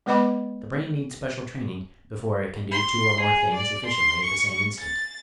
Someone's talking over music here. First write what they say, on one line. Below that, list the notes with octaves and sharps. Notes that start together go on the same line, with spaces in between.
The brain needs special training before it can do two or more things efficiently at the same instant.
G#3 B3 B4 D#5 B5 D6
C6
G#4
D5
C6
C#6
A6